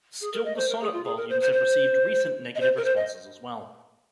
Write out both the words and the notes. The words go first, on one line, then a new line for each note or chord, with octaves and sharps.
Still the sonnet volumes have received recent negative responses as well.
G#4
A#4
D#5
C5
A#4
G#4
F4
G#4
A#4
C5
C5
C5
D#5
C5
A#4
C5
D#5